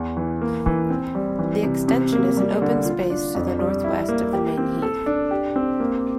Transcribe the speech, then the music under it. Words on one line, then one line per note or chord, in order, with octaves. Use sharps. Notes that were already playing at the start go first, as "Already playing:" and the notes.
The Extension is an open space to the north-west of the main heath.
Already playing: E2
E3
A#3
E3
C4
G3
E3
C3
C3
A#3
G3
D3
F4
D4
F2
G3
E4
A#3
G4
C4
A4
D4
G4
C4
A#3